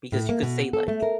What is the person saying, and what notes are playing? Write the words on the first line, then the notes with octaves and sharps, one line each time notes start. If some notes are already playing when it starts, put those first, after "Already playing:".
because you could say, like,
A2
A#3
B2
A4
A3
A#4